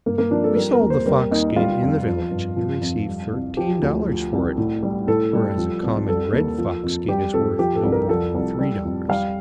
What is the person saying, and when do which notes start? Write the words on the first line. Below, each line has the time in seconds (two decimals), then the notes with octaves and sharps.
We sold the fox-skin in the village, and received thirteen dollars for it, whereas a common red fox-skin is worth no more than three dollars.
0.06 G2 A#3
0.18 A#3
0.31 F3 D4
0.44 A4
0.56 G3 A#4
0.73 A#4
0.81 D#2
0.90 C5
1.06 G3 A#4
1.31 D#2 D#4
1.56 G3 F4
1.82 F2
2.07 F3
2.31 G2
2.57 F3
2.82 F2
3.07 G3
3.33 C2
3.57 F3 G4
3.82 D2
4.07 F3
4.33 C2
4.58 A2
4.83 G3
5.07 A2 A4
5.33 G3
5.58 F3
5.83 C2
6.08 G3 A4
6.33 D#2
6.58 F3
6.83 F2
7.08 G3 G4
7.33 F2 A4
7.58 F3 G4
7.76 A4
7.83 C2
7.92 A#4
8.09 F3 A4
8.34 C2
8.59 G3
8.85 F2
9.09 G3 F5